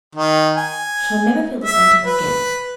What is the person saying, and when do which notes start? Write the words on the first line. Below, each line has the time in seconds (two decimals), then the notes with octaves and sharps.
I shall never feel the same to her again.
0.15 D#3
0.57 G#5
1.64 E5
2.05 B4